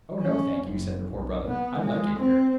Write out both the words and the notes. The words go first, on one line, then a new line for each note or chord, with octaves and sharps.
"Oh no, thank you," said the Poor Brother, "I like it here."
C#4
F#1
B1
B3
G#3
C4